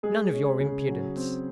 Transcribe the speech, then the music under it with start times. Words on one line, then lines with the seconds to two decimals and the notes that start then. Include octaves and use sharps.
"None of your impudence!"
0.03 G#3 G#4
0.32 C#4
0.60 C#3
0.88 F#3
1.17 C4